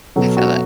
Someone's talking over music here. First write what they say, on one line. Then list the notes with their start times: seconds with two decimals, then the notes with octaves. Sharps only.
I feel that.
0.16 B2 F#3 A4
0.37 F#4